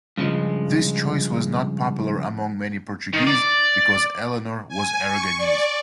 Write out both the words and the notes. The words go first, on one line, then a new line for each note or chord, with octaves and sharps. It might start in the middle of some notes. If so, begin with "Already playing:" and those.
This choice was not popular among many Portuguese, because Eleanor was Aragonese.
G2 C#3 E3 F3 G#3
D#3
D5
G#5
C#6
D5